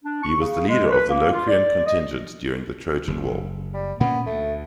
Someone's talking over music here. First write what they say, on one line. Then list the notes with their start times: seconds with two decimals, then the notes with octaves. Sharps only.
He was the leader of the Locrian contingent during the Trojan War.
0.04 D4
0.22 C#6
0.40 C#3
0.67 G#3
0.90 B4
1.08 A#3
1.32 F4
1.47 D5
1.86 D#5
3.08 F#1
3.74 G3
4.00 A#2 A#3 B3 C#4
4.26 D2 A3